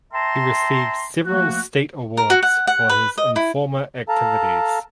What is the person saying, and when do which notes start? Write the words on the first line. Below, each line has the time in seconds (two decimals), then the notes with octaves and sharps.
He received several state awards for his informer activities.
0.13 E5 G5 A5 A#5 C6
1.26 F3 A3 A#3 F#4
2.17 A#4
2.30 F#4
2.43 F#5
2.67 F#5
2.89 B4
3.18 D#5
3.36 E4
4.09 A4 F5 A5 A#5